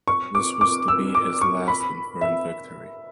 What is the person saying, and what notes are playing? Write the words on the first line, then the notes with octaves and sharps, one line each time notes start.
This was to be his last confirmed victory.
C#6
D6
D6
E6
D6
C#6
B5
E5